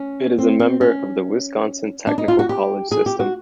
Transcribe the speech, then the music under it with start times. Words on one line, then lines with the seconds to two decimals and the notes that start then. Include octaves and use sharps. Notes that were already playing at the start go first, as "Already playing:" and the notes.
It is a member of the Wisconsin Technical College System.
Already playing: C#4
0.39 C4
0.59 C4
0.81 C#4
2.07 D4
2.18 D#4
2.28 F4
2.39 F#4
2.49 G4
2.91 G#4
3.06 G4
3.20 F#4